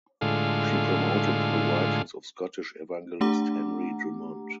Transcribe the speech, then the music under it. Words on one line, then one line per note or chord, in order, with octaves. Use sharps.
She promoted the writings of Scottish evangelist Henry Drummond.
A2 D3 G#3 F4
A3 D4 G4 F#5 A#5 D6